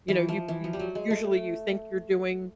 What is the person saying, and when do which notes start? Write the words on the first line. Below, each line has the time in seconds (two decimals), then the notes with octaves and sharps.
you know, you you usually, you think you're doing,
0.08 E3
0.28 F3
0.48 E3
0.64 F3
0.73 G3
0.79 F#3
0.95 G#3
1.10 A3